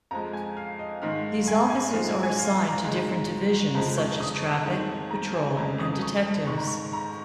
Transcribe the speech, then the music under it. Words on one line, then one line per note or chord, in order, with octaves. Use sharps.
These officers are assigned to different divisions such as traffic, patrol and detectives.
F2 F3 G#3 A#5
G#5
F5
D#5
G#2 D#3 G#3 F5
G#5
G#5
G#2 F3 G#3 F5
G#5
G#5
F5
A#5
G#2 D#3 G#3
F2 F3 G#3 A#5
C#6
D#6
F2 D#3 G#3
A#5
G#5
F2 C#3 G#3 A#5
D#6
C#6
G#2 D#3 G#3 C#6
A#5
C#6
A#5